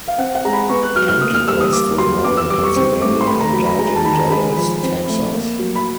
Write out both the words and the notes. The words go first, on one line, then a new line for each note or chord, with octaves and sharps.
Pentecost was born in Pennsylvania and died in Dallas, Texas.
F5
C4 F#5
F#5
G#3 A#5
B5
B3 C#6
F#6
F#3 F6
F6
A#3 D#6
F6
G3 E6
D#6
A#3 D6
F#3 C6
B3 D6
E6
G3 D6
C#6
C4 C#6
A3 D6
C6
A3 B5
A#5
F#3 B5
B5
G#3 A#5
A5
D#3 B5
A#5
G#3 B5
F3 B5
C4
A3
A#3
F#3
B5